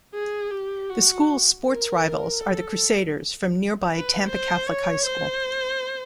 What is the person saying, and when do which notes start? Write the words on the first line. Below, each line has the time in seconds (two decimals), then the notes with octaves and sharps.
The school's sports rivals are the Crusaders from nearby Tampa Catholic High School.
0.14 G#4
0.51 G4
0.90 F#4
1.65 A#4
2.41 A4
3.92 B4
4.29 C5
4.67 C#5
5.06 C5